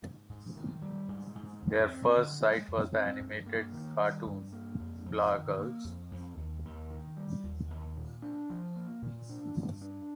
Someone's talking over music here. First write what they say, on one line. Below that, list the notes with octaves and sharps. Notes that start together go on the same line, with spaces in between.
Their first site was the animated cartoon "Blah Girls".
G#2
G#2
D#3
G3
G#2
G#2
F2
C4
D3
G#3
F2
C4
G2
A#3
D#3
G3
G2
A#3
F2
F2
D#3
A#3
F2
F2
D#2
D#2
D#3
G3
D#2
D#2
A#2
D4
F3
A#3
A#2
D4
G2
D4